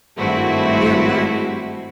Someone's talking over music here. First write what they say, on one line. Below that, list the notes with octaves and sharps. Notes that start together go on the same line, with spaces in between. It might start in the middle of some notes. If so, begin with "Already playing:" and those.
They're learning
G#1 G2 A3 C4 E4 F#4